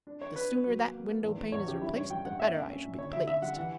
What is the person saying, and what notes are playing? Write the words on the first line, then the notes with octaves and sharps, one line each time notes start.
The sooner that window pane is replaced the better I shall be pleased.
D4
D4 C#5
D4 B4
B3
F#3
A#3
A#3
A#3
E2
E2
E2 C#5
C#3 G4
G3 E4
G2 C#5
G3 G5
G2 F#5
A#3 E5
C#4
C#4
A#2
D3 C#5
D3 E5
D3 E5
G3 F#5
E3 F#5